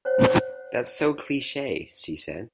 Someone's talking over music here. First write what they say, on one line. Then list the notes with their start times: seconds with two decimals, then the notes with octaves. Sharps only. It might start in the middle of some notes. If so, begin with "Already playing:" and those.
"That's so cliche" she said.
0.05 C5 C#5 F#5